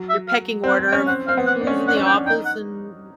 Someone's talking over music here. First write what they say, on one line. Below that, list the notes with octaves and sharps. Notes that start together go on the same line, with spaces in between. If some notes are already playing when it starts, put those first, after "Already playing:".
your pecking order of who's in the office, and, y
Already playing: F#3
E5
F5
C4 F#5
C4
G5
C#4
C4 F#5
C4 F5
B3
F#5
D4
C#4
D4 F#5
C#4
G5
D4
D#4 G5
F#5